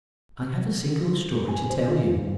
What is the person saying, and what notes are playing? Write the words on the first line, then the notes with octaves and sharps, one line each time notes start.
I have a singular story to tell you.
G#5
C5
F4
G2